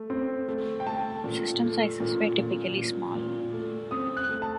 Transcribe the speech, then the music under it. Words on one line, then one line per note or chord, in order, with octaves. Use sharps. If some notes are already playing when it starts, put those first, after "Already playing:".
System sizes were typically small.
Already playing: A3
C4
A3
G5
A3 A5
A#2
A3
A#2
A#2
A#2
A#2
A3
C4 D#6
F#6
A3
A5